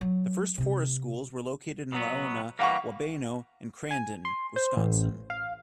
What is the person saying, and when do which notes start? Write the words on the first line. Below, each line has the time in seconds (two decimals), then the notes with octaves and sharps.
The first forest schools were located in Laona, Wabeno and Crandon, Wisconsin.
0.01 F#3
0.58 C3 D4
1.92 B2 F#3 B3
2.59 E3 G3 A#3 F5 F#5 C#6
3.91 G#5
4.25 C6
4.56 C5
4.76 A1
5.30 F5